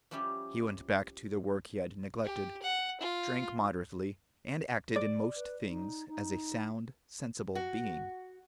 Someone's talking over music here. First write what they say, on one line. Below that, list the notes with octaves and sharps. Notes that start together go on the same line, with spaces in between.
He went back to the work he had neglected, drank moderately, and acted in most things as a sound, sensible being.
F3 G3 C#4 E4 G4
G4
F#5
F4
D5
B4
D#4
D#4
F#4